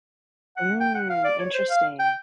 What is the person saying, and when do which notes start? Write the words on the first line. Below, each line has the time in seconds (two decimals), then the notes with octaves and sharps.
Mm, interesting.
0.57 F#5
0.80 G5
0.95 F#5
1.10 F5
1.24 D5
1.40 C#5
1.54 C5
1.70 F5
1.99 G5